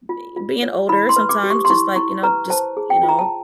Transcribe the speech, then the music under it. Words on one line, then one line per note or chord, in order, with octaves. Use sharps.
be being older sometimes just, like you know, just you know,
F4
F4
C#5
E4 B5
C6
B4
D6
G4
C#6
C6
E4 C#6
E4 C#6
B4 A#5
C5 A5
G#4
G5
F4
A#5
A5